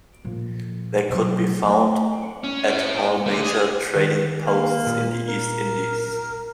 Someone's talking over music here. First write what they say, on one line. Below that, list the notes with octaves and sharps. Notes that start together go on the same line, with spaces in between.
They could be found at all major trading posts in the East Indies.
A#2 F3
B2 F#3
A3
C#4
E4 C#5
A3 D4
G#4
D#3
A#3
A#2
A#4